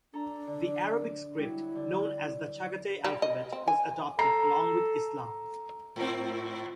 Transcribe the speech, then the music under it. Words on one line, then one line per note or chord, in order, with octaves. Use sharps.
The Arabic script, known as the Chagatay alphabet, was adopted along with Islam.
D4 A4 A#5
D3
F#3 G3 E4
D3
G3
D#5
C4
G#5
A4 A#5 C7
G#2 C4 F4